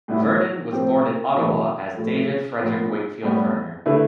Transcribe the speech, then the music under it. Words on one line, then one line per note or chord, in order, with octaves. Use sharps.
Vernon was born in Ottawa as David Frederick Wingfield Verner.
A2 G3 B3 E4
A2 F3 C4 G4 C5
B1 A2 E3
A2 F3 A3
A2 F3 B3 F4
A2 G3 B3
D3 A3 E4 B4